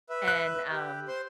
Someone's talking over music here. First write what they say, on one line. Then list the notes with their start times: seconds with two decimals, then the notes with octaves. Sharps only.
And, um,
0.09 B4 E5
0.28 F#6
0.71 G4
1.08 C5 C6